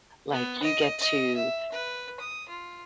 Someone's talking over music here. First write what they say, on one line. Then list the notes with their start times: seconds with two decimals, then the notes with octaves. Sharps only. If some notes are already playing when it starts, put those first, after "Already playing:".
Like, you get to
0.32 B3
0.63 D#5
1.00 D#5
1.36 E5
1.72 B4
2.20 D#6
2.49 F4